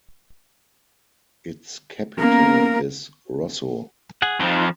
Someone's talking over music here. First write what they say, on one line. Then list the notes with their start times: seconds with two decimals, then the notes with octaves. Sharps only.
Its capital is Rosso.
2.20 A#3 B3 C#4 A#4
4.22 G#4 F#5
4.40 F2 F3 D#4 F4